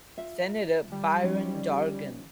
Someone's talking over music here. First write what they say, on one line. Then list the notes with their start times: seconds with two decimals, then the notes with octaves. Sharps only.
Senator Byron Dorgan.
0.17 F4 E5
0.92 G3
1.23 F3 C#4 D#4